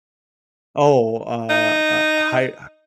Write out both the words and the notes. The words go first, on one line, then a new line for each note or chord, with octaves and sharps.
Oh, uh, a hi h
D#4